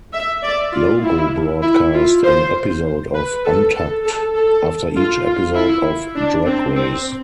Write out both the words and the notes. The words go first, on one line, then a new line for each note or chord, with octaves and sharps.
Logo broadcast an episode of "Untucked" after each episode of "Drag Race".
E5
D5
F4
E4
E4
F4
C5
B4
A4
A4
A4
A4
F4
F4
E4
D4
C4
C4